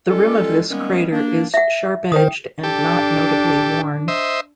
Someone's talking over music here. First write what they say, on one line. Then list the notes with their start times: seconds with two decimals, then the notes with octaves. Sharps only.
The rim of this crater is sharp-edged and not notably worn.
0.08 G3 G#3 C#4 F4 A4
0.70 D#3 G3 G#3 A#3 B3 C#4
1.11 A#3 D4
1.54 E5 F#5
2.12 D#3 A#4 C5 G5 D#6
2.63 D4 G4 A4
4.08 C5 D#5 E5